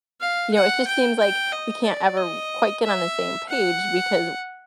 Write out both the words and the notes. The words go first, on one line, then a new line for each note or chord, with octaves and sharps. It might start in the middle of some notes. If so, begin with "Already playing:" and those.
you know, it just seems like we can't ever r quite get on the same page because w
F5
F#5
G5
G5
D#5
D5
D#5
E5
F#5